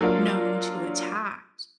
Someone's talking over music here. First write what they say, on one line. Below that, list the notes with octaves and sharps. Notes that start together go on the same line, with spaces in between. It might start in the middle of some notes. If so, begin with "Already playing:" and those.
known to attacked.
F#3 A#3 D4 F4